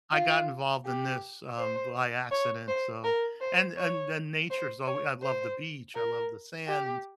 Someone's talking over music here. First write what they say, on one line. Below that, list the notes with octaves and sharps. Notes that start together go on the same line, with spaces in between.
I got involved in this, um, by accident so and and and nature's alw I love the beach, I love the sand,
F4
G4
C5
C#5
C5
A#4
C5
C#5
C5
C#5
C5
A#4
G4